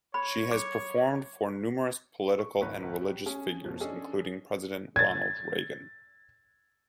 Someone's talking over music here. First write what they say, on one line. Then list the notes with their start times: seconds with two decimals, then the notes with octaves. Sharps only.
She has performed for numerous political and religious figures, including President Ronald Reagan.
0.14 C#5 B5
0.51 D6
2.39 C#6
2.61 G#1 C#2 B4 C#5 C#6
3.01 F#4 G4
3.26 C#4 G#4
3.65 F2 B2
3.80 C#4 D4 G#4 A4 D#5
4.96 G#6 A6